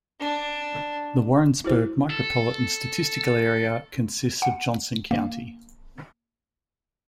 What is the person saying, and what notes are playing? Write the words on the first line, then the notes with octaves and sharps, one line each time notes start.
The Warrensburg Micropolitan Statistical Area consists of Johnson County.
D4
E4 F#4 C5
A4
F#5
A#3